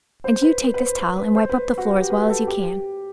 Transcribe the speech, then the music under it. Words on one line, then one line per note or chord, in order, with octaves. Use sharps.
And you take this towel and wipe up the floor as well as you can.
C5
B4
B4
B4
C5
B4
B4
C5
B4
F#4
G4
B4
A4
G4